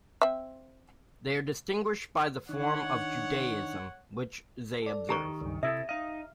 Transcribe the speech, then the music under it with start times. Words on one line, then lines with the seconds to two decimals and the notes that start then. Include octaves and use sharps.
They are distinguished by the form of Judaism which they observe.
0.22 C4 E5
2.49 D#3 D4 D#4 C#5 F#5
4.82 A4 D5
5.09 D#3 G4 A#5 C#6
5.41 C#2 G2
5.63 C3 E4 A4 E5 D#6
5.89 D#4 D#5 F5